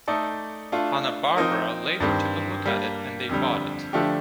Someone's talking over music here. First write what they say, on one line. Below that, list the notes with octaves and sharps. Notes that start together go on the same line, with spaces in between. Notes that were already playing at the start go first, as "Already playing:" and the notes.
Hanna-Barbera later took a look at it and they bought it.
A3 D#4 A4 D5
A3 D4 F4
F3 C4 D#4 A#4
G2 D#3 G3 C4
G3 A#3 D4
F2 D3 G3
D3 F3 A3 D4 G4